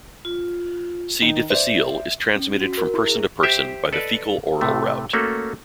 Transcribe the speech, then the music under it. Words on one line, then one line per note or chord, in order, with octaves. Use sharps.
"C. difficile" is transmitted from person to person by the fecal-oral route.
F4
D#3 D#4
C5 D5 E5
C#4
F#4
A#4
E4
G#4
G4 C5 E5
A4 B4 D5 D#5
A2 C3 A3
A3 A#3 C#4 F#4 A4